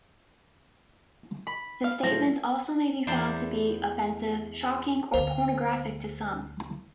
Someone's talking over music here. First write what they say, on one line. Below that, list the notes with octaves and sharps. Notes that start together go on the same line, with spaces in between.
The statements also may be found to be offensive, shocking, or pornographic to some.
B5
F5
A2 F3 F#3 A#6
E2 C5 D5 C6
D2 C5